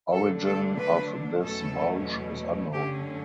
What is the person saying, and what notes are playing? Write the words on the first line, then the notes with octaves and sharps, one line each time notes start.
Origin of this bulge is unknown.
D3 F#3 A3 D4 A4
A4
B4
E2 B2 F#3 A3 C#4 A4
F#2 D3 A3 C#4 G4